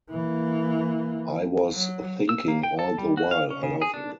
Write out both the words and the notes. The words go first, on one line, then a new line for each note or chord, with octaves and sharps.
I was thinking, all the while, I love you.
E3 A#3
F#3
E6
A#3
G5
A4
G3
F#4
F5
C#4
C#3
G#4
D4